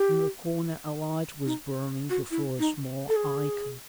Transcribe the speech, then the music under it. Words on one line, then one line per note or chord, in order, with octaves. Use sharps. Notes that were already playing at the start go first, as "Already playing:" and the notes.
In the corner a light was burning before a small ikon.
Already playing: G4
D#4
F#4
E4
D#4
A4
G#4